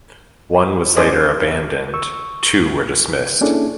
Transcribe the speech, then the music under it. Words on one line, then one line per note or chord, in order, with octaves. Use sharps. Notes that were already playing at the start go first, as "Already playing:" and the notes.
One was later abandoned, two were dismissed.
C#4 G#4 C5 D5 D#5
C#6 E6
A#3 C#4 D4 E4 G#4 A4